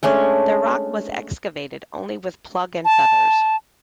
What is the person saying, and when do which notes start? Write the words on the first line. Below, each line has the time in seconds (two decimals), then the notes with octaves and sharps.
The rock was excavated only with plug and feathers.
0.03 G#3 A3 C#4 D4
2.85 A5